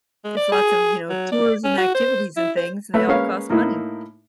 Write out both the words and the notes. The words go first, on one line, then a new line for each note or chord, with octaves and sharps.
'Cause lots of, you know, tourism activities and things, they all cost money.
G#3
D5
G#4
F#3
D5
C#4
F#4
C5
E4
C5
A3 B4 E5 F#6
G#3 A#3 C#4 B4 C#5 F5
A2 A#3 D#4 E4